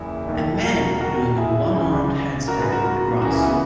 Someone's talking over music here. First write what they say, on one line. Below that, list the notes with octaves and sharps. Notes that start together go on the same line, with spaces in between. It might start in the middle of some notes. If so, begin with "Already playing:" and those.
A man doing a one armed handstand in the grass.
Already playing: F#1 E2 E4 G#4
E1 D#2 D#3
F#4 A#4
F#4 A#4
E4 G#4
C#2 C#3 E3
F#4 A#4
G#4 B4
F#4 A#4
F#4 A#4
C#2 C#3 E3 F#4 A#4
E4 G#4
B3